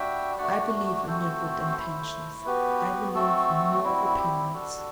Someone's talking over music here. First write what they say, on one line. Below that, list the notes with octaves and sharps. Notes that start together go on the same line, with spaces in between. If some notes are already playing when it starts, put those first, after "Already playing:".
"I believe in your good intentions; I believe in your repentance."
Already playing: G3 D4 F#4 E5 G5
A3 D4 F#4 D5 F#5
A3 C4 F#4 A4 C5
A3 E4
B3 F#4 G4 B4
A3 C4 F#4 A4
G3 C4 E4 F#4
G4
G3 D4 F#4 A4